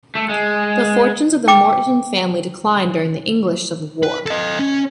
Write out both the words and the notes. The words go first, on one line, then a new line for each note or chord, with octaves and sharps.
The fortunes of the Moreton family declined during the English Civil War.
A3
G#3
G5 D6
B4
A4 D#5
C#4